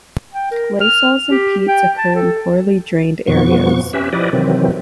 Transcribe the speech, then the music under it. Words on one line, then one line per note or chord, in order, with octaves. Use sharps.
Gleysols and peats occur in poorly drained areas.
G5
A#4
F6
G4
G5
A5
A4
F2 B2 F3 B3 C#6
C#4 G4 B4 E5
F3 E4 G4 B4 D5 D#5
C3 D#3 E3 F#3 C4